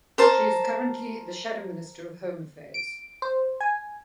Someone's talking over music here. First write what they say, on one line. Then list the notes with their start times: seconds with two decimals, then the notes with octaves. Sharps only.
She is currently the Shadow Minister of Home Affairs.
0.18 A#4 C5 A5
2.74 D7
3.22 C5
3.61 G#5